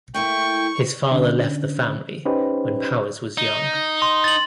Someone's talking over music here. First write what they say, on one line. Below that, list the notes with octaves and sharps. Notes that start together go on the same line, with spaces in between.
His father left the family when Powers was young.
A3 A#3 E4 G5 C#6
D3 C#4 D4
C#4 D#4 G4 B4 C5
D#4
C6
A6 F#7